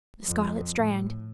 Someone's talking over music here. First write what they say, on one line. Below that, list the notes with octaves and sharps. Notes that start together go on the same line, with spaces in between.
'The scarlet strand!
F2
A2